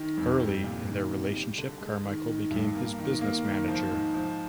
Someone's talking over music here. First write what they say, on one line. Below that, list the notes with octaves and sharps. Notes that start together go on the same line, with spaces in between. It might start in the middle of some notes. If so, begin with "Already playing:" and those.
Early in their relationship, Carmichael became his business manager.
Already playing: D#3
F2
G3
A#2
D#3
C3
G3
D3
G#3
D#3
D#3
G2
A#3
D#3
A#3
D#3
F3
G#2
F3